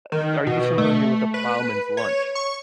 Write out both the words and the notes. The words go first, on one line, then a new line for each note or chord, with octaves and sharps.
uh, are you familiar with a ploughman's lunch?
D#3
B2
A3
B4
C#5
C#6